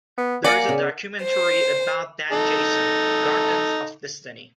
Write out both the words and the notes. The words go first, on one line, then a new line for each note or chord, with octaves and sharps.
There is a documentary about Dan Jason: "Gardens of Destiny".
B3
A#3 D5 F#5 G#5
C#3
C5
D#4 A4